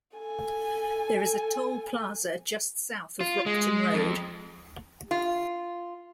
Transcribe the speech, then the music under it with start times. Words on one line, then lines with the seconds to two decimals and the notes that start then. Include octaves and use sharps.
There is a toll plaza just south of Rockton Road.
0.17 A4 G#5
3.21 F4
3.46 G#3
3.94 F2
5.11 F4